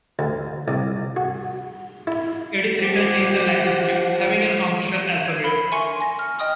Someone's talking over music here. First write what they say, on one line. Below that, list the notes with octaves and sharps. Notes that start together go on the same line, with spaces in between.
It is written in the Latin script, having an official alphabet.
D2
C2
F#4
E4
F3 G4 F#5
G#6 D7
A#4 B5
E5 G#5 C6 C#6 C#7 D#7
G#5 A#6
F6
D#5 G5 D#6 F6